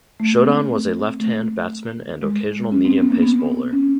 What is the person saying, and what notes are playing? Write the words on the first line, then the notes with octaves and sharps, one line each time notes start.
Shodhan was a left hand batsman and occasional medium pace bowler.
A3
A#3
C4
A3
A3
G#3
C#4
C4
B3
A#3
B3
C#4